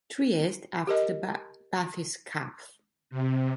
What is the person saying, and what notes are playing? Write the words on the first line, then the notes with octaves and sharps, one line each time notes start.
"Trieste", after the bathyscaphe.
G4 A#4 D#5
C3